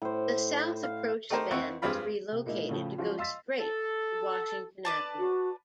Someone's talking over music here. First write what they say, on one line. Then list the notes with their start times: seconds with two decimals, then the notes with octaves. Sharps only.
The south approach span was relocated to go straight to Washington Avenue.
0.02 A2 C5
0.83 F5
1.30 A3 D#4 G4 A#4 C5
1.51 F2 C4 E5 F#5 C#6
1.82 G2 G#3 C4 F4 B5
2.32 C3
2.46 A#2 G#3 A#3 D#4 E4
2.69 A2 C#3 F3
2.98 F3 F#3 G#3 C#4 F4 F#4
3.18 D#5 F5 C6 E6 A6 B6
3.60 A4
4.85 B4 D5 A5
5.19 F#4